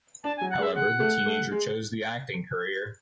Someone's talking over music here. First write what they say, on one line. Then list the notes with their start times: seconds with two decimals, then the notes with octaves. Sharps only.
However, the teenager chose the acting career.
0.24 D4 A5
0.37 G#5
0.41 F#3
0.50 F#5
0.59 G#3
0.62 E5
0.75 G#3 F#5
1.00 A3
1.26 A3
1.51 G#3